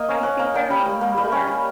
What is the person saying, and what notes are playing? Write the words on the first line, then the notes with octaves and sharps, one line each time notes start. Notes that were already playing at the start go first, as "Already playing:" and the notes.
I think I read more.
Already playing: A#3 D#5
C#4
C#4 F#5
A#3
A#3 G5
G3
G3
A#3
G3
C#4
G3